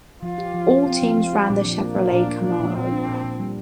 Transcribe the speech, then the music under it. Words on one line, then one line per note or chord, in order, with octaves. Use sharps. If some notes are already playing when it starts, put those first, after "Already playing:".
All teams ran the Chevrolet Camaro.
F3 F4
G4
F3
F3
C4 F4
F3
F3
G4
A#2 D4
F3
A#3
A#3
A#2 D4
A#3
F3 D4
A#2
A#2 C4
D4
A#2
A#2
G3